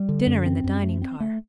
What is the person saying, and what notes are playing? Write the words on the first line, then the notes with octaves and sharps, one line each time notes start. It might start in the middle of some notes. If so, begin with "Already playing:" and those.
Dinner in the dining-car.
Already playing: G3
D3
F#2
C4
F#2
A3
C4
A3